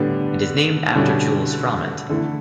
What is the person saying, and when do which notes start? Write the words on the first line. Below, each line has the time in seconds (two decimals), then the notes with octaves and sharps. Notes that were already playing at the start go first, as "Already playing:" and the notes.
It is named after Jules Froment.
Already playing: A2 D3 G3 B3 D4 G4
0.95 B2 D3 G3 C#4 E4 G4
2.09 D3 E3 A3 E4